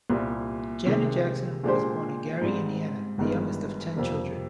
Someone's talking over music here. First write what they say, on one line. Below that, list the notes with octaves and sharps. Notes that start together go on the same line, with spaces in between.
Janet Jackson was born in Gary, Indiana, the youngest of ten children.
C2 A#2 G3
C3 D#3 G#3
A#2 G#3 D4 G4 C5
G#2 G3 C4
G1 G2 D#3 G#3 D#4
F2 C3 G3 A#3